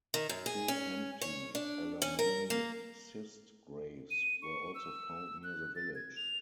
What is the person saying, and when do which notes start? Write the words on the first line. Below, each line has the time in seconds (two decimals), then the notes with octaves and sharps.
Two empty Alamanni cist graves were also found near the village.
0.14 D#3
0.29 F#2
0.46 G#4
0.68 C#4
1.21 C#5
1.55 D4
2.02 C#4
2.19 A#4
2.50 A#3
4.11 D#7
4.42 C#6
4.75 E6
5.43 F#6
5.76 A6
5.95 G#6
6.16 F7